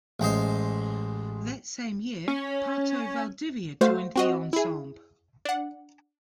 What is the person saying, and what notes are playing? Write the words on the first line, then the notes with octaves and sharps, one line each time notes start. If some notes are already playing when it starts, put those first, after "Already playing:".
That same year Pato Valdivia joined the ensemble.
A1 G#3 C5 D#5
C#4
A3 F#4 C5 F5
C4 F#4 D#5
E4 G#4
D4 F#5